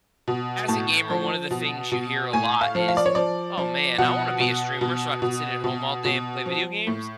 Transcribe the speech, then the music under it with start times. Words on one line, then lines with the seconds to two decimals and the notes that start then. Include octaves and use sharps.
as a gamer, one of the things you hear a lot is, "Oh man I wanna be a streamer so I could sit at home all day and play video games."
0.28 B2
0.68 A2 A5
1.10 F3
1.51 B2
1.92 B2
2.33 A2 G#5
2.61 F5
2.75 F3
2.88 F5
2.97 D5
3.06 C#5
3.15 F3 D5
3.58 F3
3.98 B2 F#5
4.40 B2
4.81 B2
5.22 B2
5.64 B2
6.05 B2
6.46 F3
6.87 A2